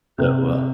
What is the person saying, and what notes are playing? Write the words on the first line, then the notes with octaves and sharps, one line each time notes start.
So, uh,
C3